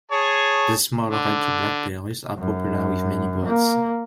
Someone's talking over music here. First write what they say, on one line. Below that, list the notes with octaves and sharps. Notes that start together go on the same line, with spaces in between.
The small, red-to-black berries are popular with many birds.
G#4 C#5 A5
D3
F#2
A#3